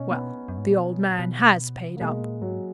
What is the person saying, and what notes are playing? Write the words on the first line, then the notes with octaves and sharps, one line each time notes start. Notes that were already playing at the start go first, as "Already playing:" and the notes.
Well, the old man has paid up.
Already playing: B2 C#4 D#4
B3
F#2
G#2
A#2
B2
A#2
B2
C#3
A#3
B2 G#3
A#2
G#2 F#3